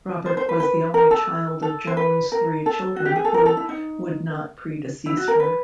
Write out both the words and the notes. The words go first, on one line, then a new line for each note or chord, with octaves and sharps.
Robert was the only child of Jones' three children who would not predecease her.
C5
C5
B4
B4
A#4
A4
A4
C5
B4
A#4
A4
F#4
G4
G#4
A4
A#4
A4
E4
D#4
E4
F#4
A#4
B4